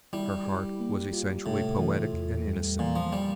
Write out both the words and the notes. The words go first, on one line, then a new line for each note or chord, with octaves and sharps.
Her heart was essentially poetic and innocent.
G3 E4
G4
A#3
F4
A2 C3
E3
E2
G3
A#2 E3
F3
G3